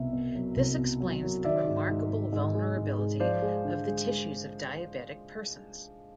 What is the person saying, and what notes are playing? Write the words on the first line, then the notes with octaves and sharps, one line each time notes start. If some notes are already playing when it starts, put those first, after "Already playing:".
This explains the remarkable vulnerability of the tissues of diabetic persons.
Already playing: C2 B2 E5
B2
F#3
C2
B2
F#3
F#3
D#3 D5 E5
G#2
G#2
G#2
G#2
G#3
G#2
G#3
F3 C5 D5
G#3
D3
G#3
G#3